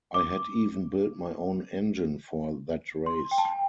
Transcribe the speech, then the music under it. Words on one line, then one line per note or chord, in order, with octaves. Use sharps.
I had even built my own engine for that race.
D6
C6
G5
A5
G5